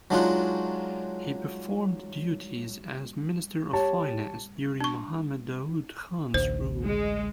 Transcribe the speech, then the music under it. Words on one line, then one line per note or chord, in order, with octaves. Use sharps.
He performed duties as Minister of Finance during Mohammad Daud Khan's rule.
F#3 G#3 D4 D#4 F4 F#4
G4 C#5 A5
D4 C#6
A1 D2 C5
G#3